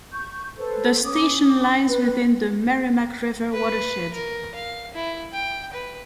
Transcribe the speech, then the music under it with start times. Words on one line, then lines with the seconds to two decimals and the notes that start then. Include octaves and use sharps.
The station lies within the Merrimack River watershed.
0.12 C#6 G6
0.58 A4 B4 C5
1.04 C#4 D6 D#6
1.88 B4
3.53 B4
4.13 A#4
4.55 F5
4.94 E4
5.33 G5
5.73 B4